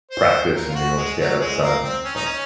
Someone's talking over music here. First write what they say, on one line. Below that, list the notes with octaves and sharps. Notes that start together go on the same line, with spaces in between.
practice and they wanna stay outta the sun so,
C5
A#4
F4
F#4
G#3
F#3
G#3
A#3
C4
C#4
D#4
C#4